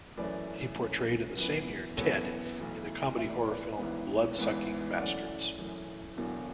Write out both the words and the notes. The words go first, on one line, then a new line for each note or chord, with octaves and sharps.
He portrayed in the same year Ted in the comedy horror film "Bloodsucking Bastards".
F#2 E3 A3 C#4 B4 D5
F#2 E3 A3 C#4
F#2 E3 B3 B4
F#2 E3 B3 A4 C#5
B1 A2 E3 A3
B1 A2 E3 A3 E5
D5
C#5
B4 D5
A1 G#2 E3 B3
A1 G#2 E3 B3
F#2 E3 A3 C#4 D5 F#5
F#2 E3 A3 C#4
E1 E2 D3 F#3